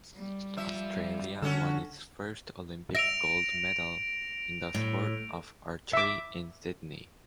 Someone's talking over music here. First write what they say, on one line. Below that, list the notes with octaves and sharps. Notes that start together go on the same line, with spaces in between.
Australia won its first Olympic gold medal in the sport of archery in Sydney.
G3
F3 E5
D3 C#4 F#4 A4
E5 A#6 D7 F7
A2
E5 D6